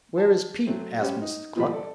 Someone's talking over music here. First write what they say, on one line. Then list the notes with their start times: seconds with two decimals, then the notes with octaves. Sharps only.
'Where is Peep?' asked Mrs. Cluck.
0.18 A5
0.67 F#3 A3 C4
1.01 G3 C#4 G4 C5
1.22 D#4
1.55 A#2 E3 F3 G3 A#4 B5
1.72 A4 D5